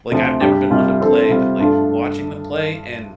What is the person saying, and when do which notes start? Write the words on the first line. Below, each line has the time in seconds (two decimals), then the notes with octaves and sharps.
Like, I've never been one to play, but like, watching them play, and
0.11 D2 C3 F3 C4
0.41 G2 G3 D4 G4
0.70 C2 C3 G3 F4
1.00 D3 F3 C4 A4
1.29 C3 G3 C4 F4
1.59 G2 F3 A3 D4 F4